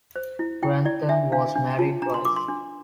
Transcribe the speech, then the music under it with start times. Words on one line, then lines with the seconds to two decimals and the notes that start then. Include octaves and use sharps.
Grantham was married twice.
0.16 C5
0.39 E4
0.62 E4 G5
0.85 E4 D5
1.09 D4 E5
1.32 D4 F5
1.56 D4
1.79 F4 A5
2.02 D4 A#5
2.14 C6
2.25 A#4 D6
2.36 C6
2.48 D4